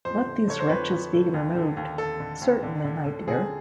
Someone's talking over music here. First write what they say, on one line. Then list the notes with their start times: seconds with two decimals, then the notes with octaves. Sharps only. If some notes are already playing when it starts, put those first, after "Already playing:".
'Let these wretches be removed.’ ‘Certainly, my dear'.
0.05 F2 C5
0.27 D3
0.48 D3 C#5
0.60 C5
0.69 F2 B4
0.91 F2
1.13 D3
1.34 D#2
1.55 D3
1.77 D#2
1.98 D#2 A4
2.20 D3
2.42 D#2
2.63 D3
2.84 D3
3.06 D3
3.28 D3 G#4